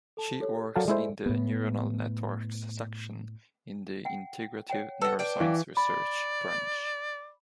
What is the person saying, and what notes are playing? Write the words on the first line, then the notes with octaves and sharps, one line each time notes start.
She works in the neuronal networks section in the integrative neuroscience research branch.
A4 A5
G4 A4 C#5
F#3 A4 A#4 D5 F5 A5
G#3 E4 C5
A2 B3
F#5 G5
C#5 F#5 G5
A4 B4 F#5 A5
D4 G5
E3 F5 C#6
D5 B5